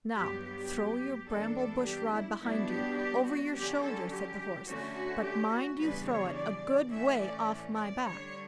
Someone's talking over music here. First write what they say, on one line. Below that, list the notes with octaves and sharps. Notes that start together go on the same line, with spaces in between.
'Now throw your bramble-bush rod behind you, over your shoulder', said the Horse; 'but mind you throw it a good way off my back.'
G2 F#3 B3 G4
G4
G2 E3 B3 D4 A4
A4
G4
E4
B2 G3 B3 D4 E4
G4
G4
F#4
D3 F#3 C#4 G4
A4
G4
D3 A3 C#4 F#4
F#4
G4
F#4
E2 C#3 G3 D4 B4
C#5
D5
A2 E3 A3 C#4 E5
D5
D5
D3 G3 D4 C#5